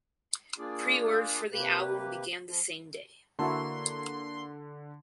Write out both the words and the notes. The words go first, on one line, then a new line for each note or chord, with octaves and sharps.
Preorders for the album began the same day.
A#3 D4 F4 G#4 D5
C3 A#3 G4 B4
F3
D3 A#3 E4 F#4 A4 C6